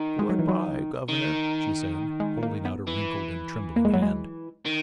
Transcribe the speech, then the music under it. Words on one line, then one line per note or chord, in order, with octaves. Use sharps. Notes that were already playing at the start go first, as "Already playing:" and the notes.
"Good-bye, governor," she said, holding out a wrinkled and trembling hand.
Already playing: D#3
G#3
F#3
E3
F#3
D#3
G#3
A#3
B3
E3
A#3
G#3
F#3
G#3
D#3